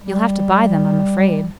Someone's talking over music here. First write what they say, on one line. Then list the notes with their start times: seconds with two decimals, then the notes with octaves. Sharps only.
"You'll have to buy them, I'm afraid."
0.04 G3